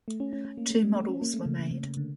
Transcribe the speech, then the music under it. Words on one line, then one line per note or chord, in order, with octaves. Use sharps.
Two models were made.
A3
C#4
C#4
C#4
A#3
A3
G3
A3
C#4
A#3
A3
C#3
C#3
C#3
C#3
D3